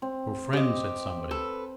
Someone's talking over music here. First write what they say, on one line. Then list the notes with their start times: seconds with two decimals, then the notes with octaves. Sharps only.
"Your friend," said somebody.
0.02 C4
0.53 G4 D#5
1.31 A4 B4